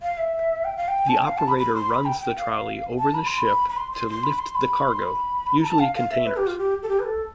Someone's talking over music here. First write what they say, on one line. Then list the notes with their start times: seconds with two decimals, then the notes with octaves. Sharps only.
The operator runs the trolley over the ship to lift the cargo, usually containers.
0.02 F5
0.18 E5
0.65 G5
0.77 F5
0.88 G5
1.08 A5
1.18 G5
1.27 F5
1.38 A5
1.48 B5
1.58 B5
1.74 C6
1.89 B5
2.06 G5
2.21 G5
2.36 F5
2.99 A5
3.14 B5
3.27 C6
3.38 B5
3.69 B5
3.77 C6
3.92 C6
4.08 C6
4.24 B5
4.39 C6
4.55 B5
4.91 C6
5.02 B5
5.64 A5
5.80 F5
5.95 F5
6.11 E5
6.26 B4
6.37 G4
6.47 F4
6.58 G4
6.83 A4
6.89 G4
7.00 B4
7.05 A4